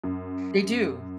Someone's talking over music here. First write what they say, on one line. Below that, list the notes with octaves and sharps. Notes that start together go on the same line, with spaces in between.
They do.
F#2